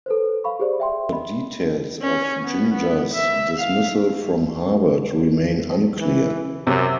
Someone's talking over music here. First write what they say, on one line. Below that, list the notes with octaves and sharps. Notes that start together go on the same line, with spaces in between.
The details of Ginger's dismissal from Harvard remain unclear.
A4 B4 C5
F5 B5 C#6
G4 G#4 C5 D5
E5 G5 C6
D#5 B5
C#4
B3
B3
E5
F5
E3
F#2 C3